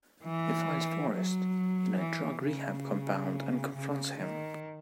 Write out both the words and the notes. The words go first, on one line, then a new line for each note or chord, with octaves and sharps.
He finds Forrest in a drug rehab compound and confronts him.
E3
F#3
E3
C#3
C#3
D#3